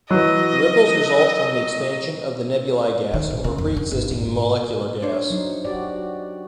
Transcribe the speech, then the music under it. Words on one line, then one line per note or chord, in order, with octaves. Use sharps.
The ripples result from the expansion of the nebulae gas over pre-existing molecular gas.
E3 F#3 D#5
D#3
A#1
C#3
F2
D3
G1
G#2
D4 C5 C#5
F#3 D#4
F#4 G4 D5